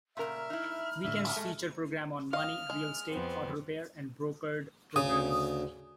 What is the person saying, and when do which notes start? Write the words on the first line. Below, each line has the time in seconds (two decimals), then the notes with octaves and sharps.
Weekends feature programs on money, real estate, auto repair and brokered programming.
0.17 A#2 C#3 A#4 E5
0.31 F6
0.50 D#4 E4
1.05 A2 D3 E5
1.36 G#3 A3
2.33 D#5 F5 F6
2.70 G#3
3.12 F2 B3 C4
4.96 D2 C#3 D#6